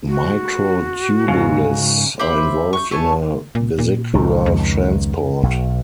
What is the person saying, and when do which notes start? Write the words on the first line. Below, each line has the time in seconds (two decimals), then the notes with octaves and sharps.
Microtubules are involved in vesicular transport.
0.09 F#4
1.28 G#2 C#3
2.19 G4 C5 E5 B5
2.73 C#6 F#6 G6
2.91 A3 C#5 G#5 A5
3.55 A#2
3.78 A#2
4.14 C#2 D#3
4.46 F2
5.43 B1